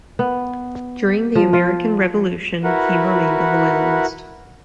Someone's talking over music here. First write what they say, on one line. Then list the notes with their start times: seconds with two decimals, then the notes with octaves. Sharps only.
During the American Revolution he remained a Loyalist.
0.19 B3
1.35 F3
1.53 F4
2.64 E4 F#4 A#4 B4 F#5